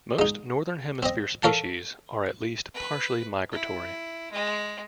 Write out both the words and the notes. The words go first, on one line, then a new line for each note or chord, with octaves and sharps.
Most Northern Hemisphere species are at least partially migratory.
G#3 D#4
C4 D#5
A4 A#4 C#5 F5 A5
B4
E4
G#3